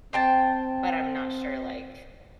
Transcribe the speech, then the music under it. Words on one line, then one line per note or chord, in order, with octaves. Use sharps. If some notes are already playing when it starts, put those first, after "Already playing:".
But I'm not sure, like
C4 C5 G5 A5